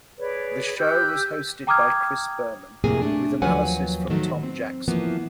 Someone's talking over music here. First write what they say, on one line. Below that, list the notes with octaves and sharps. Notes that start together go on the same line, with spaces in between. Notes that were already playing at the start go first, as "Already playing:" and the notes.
The show was hosted by Chris Berman, with analysis from Tom Jackson.
G#4 B4 C#5 D5
G4 E6 F#6 G6
G5 A#5 D6 D#6 F6 G#6
F2 A2 C3 A#3 G#4 G#5
A3 D4
D#2 F3 F#3 B4 F#5 G#5
A2 D#3 F3 F#3 A3
C4
E3 F3 A#3 B3